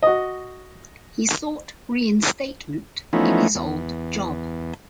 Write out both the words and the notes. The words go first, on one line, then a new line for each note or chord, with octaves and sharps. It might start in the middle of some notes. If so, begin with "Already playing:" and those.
He sought reinstatement in his old job.
F#4 D#5
E3 F3 A3 B3 C#4 D#4
E2